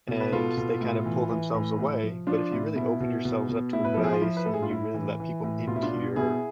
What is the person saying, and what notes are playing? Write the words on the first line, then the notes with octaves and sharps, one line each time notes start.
and they kind of pull themselves away. But if you really open yourselves up to advice and you really let people into your
B2
B4
B2 F4 A4
B2
A2
E3
E3
A2
A2
F3
F3 D4 F4
A2
B2 E4
B2
B2
B2
A2 E4
B4
F3 A4
G#4
F4
F3 E4
B4
A2 A4
G#4
F4
A2 E4
E3
E3
A2
B2 F4
E4
D4 F4
B2
B2 E4 G#4